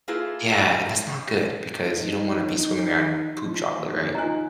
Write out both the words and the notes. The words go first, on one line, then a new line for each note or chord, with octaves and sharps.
Yeah, and that's not good because you don't wanna be swimming around poop chocolate, right?
A#3 E4 F4 G#4 A4 B4
F3 D#4
F3
D#2
D#4 F4 G#5 A#5 F#6